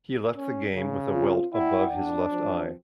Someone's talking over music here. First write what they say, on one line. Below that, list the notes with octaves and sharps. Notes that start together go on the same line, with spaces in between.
He left the game with a welt above his left eye.
C#4
C#3 G#4
C4 F4
E4 D5 F#5 G5
D4
B1 F3 C4